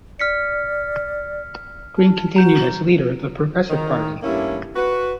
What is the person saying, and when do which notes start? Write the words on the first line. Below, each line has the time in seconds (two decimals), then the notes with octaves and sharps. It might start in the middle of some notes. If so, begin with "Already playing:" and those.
Green continued as leader of the Progressive Party.
0.19 D5 F6 B6 C#7
1.98 A5
2.36 F#4 A#5 G6
3.70 D#3
4.23 G2 A3 A#3 C#4 E4
4.76 F#4 B4